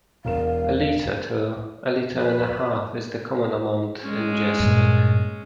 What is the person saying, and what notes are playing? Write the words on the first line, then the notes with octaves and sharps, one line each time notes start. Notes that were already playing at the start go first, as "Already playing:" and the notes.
A litre to a litre-and-a-half is the common amount ingested.
E1 A#4 F5 E7
F3 B4
G#3 C#4
G2 A#2